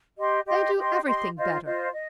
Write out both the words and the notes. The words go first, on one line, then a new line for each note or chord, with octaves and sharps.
"They do everything better."
G4 D#5 C6
G4 D#5 C6
G4 D#5 C6
G4 D#5 C6
F4 C5 D#5
F4 C5 D#5
D#5